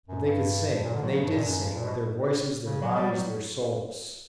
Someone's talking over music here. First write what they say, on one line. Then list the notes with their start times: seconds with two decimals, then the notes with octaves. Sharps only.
But they could sing, and they did sing, with their voices, their bodies, their souls.
0.08 F#2
0.24 G2
0.84 A#2
0.94 D3
1.03 F#3
1.14 C#3
1.24 G2
1.34 A#2
1.44 F#2
1.59 G2
1.75 A#2
1.84 B2
2.66 C#3
2.81 F#3
2.96 G3
3.11 F#3